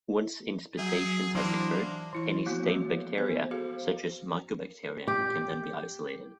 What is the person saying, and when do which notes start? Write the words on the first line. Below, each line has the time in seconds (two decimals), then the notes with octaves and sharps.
Once inspissation has occurred., any stained bacteria, such as Mycobacteria, can then be isolated.
0.78 F#3 G#4 E5 G6
1.35 E3 A#3 D4 C5
2.13 E3 E4 C#6
2.46 F3 A#3 B3 F#4
2.67 G#3 F#4 C#5
3.18 B3 G#4 C5
3.51 F#4 G#4 A4 C5 F5
5.08 G4